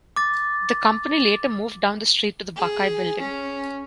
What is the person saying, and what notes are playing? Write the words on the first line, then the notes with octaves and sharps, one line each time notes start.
The company later moved down the street to the Buckeye Building.
D6 A6
G#4
C#4